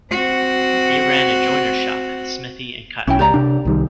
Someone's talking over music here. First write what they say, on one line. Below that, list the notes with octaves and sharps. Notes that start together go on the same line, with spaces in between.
They ran a joiner's shop, smithy and cotton mill.
C4 F#4
B1 C#4 E4 G5
C#2 G4 D5 A#5
C3 D4
C2 D#3 G3